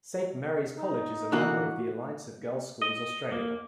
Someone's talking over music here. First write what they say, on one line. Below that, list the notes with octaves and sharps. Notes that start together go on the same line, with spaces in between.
Saint Mary's College is a member of the Alliance of Girls' Schools Australia.
D#4
D3 E3 A#3 F#4 F#6
D#5
A#3